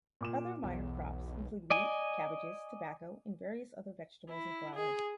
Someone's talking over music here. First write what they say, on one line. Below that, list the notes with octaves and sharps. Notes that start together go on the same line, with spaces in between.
Other minor crops include wheat, cabbages, tobacco, and various other vegetables and flowers.
A#2 D6 E7
B1 E2
D5 D#5 G#5
E4
G#4